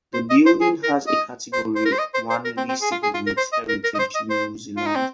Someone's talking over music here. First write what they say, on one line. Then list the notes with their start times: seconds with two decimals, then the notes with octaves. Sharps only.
The building has a Category One listing with Heritage New Zealand.
0.14 C5
0.30 D#5
0.46 C5
0.61 G#4
0.83 A#4
1.07 D#5
1.53 C5
1.76 C5
1.86 A#4
1.93 C5
1.99 D#5
2.14 C5
2.30 C5
2.45 A#4
2.57 C4
2.69 C4
2.82 G#4
2.92 F4
3.03 G#4
3.14 F4
3.27 A#4
3.37 C5
3.53 D#5
3.69 A#4
3.84 A#4
3.95 D#5
3.99 C5
4.15 D#5
4.30 C5
4.77 F4
4.86 D#4
4.96 C4